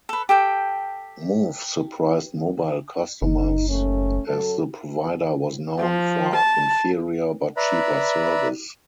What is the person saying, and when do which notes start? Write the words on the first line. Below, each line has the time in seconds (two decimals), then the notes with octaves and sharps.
Move surprised mobile customers as the provider was known for inferior but cheaper service.
0.09 A4 B4
0.29 G4 A4 G5
3.22 F#1 D#4
3.69 D#2 A3 C#4
4.27 F#2 F#3 A4
5.78 F3
6.36 A5
7.57 B4 D5 E5 A#5 B5